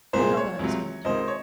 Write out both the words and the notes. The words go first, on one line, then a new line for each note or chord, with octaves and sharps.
He held out his hand.
C2 A#2 G#3 C5
C#5
C#2 C3 F#3
C#2 C3 D#3 C5 D#5
C#5